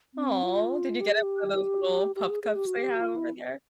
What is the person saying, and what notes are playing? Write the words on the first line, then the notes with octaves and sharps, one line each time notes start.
Aw, did you get it for those little pup cups they have over there?
C4
F4
G4
G#4
G4
G4
G#4
G#4
G4
F#4
G4
F#4
F4
E4